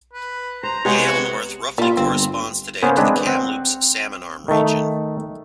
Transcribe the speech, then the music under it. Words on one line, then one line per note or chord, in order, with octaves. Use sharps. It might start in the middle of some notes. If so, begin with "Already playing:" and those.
Yale-North roughly corresponds today to the Kamloops-Salmon Arm region.
B4
C5 A#5
C3 G#3 B3 C#5
F#4
A#2 G3 F4
G1 C4
C#3 A#3 B3 G#4 C5
G#3 C4 D4 B4
C4 F#5
D#3 A3